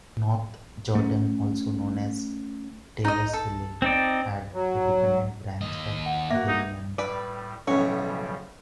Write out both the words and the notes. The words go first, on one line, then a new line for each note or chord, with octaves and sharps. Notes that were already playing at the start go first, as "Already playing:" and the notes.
North Jordan also known as Taylorsville had a dependent branch at Bennion.
A3 C#4
D#4 D#5
A4
C4 D#4 D5
F#3
D#2 D#5
F#5
A#3 F#4 E5
D#4
A2 G3 B4 D5
B1 A2 C#3 F3 G3 C#4 F#4 C#5